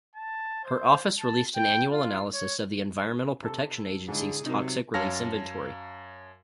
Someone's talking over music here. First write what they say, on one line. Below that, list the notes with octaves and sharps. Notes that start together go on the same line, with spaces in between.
Her office released an annual analysis of the Environmental Protection Agency's Toxic Release Inventory.
A5
C5
A5
G5
F4
C#5
C3 A4
G#2 D3 E4 G#4
C3 F#3 D#4 A#4
F#2 C#5 F5 A5 F6 A#6